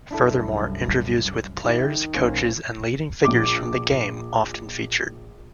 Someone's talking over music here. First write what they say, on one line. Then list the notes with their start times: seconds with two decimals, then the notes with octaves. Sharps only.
Furthermore, interviews with players, coaches and leading figures from the game often featured.
0.11 C2 F#2 D4 E4 A4
1.64 D#3 E4 G4
2.15 B1 A#3 C#4 C5
3.24 A#1 D6